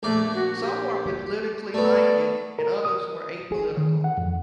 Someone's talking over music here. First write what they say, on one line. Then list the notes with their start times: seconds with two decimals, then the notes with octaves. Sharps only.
Some were politically minded, and others were apolitical.
0.03 A#1 A3 A#3 D5
0.35 F#4
0.61 G4
1.74 A3 B3 D5
2.59 A#4
2.85 D#6
3.52 G#4
3.77 D#3
4.04 F#5
4.17 F2